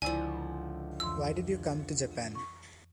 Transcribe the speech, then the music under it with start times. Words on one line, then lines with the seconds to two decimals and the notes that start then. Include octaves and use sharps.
Why did you come to Japan?
0.02 C#2 D3 F3 E4 D5 G#5
1.00 F2 E3 C6 E6
2.35 C#6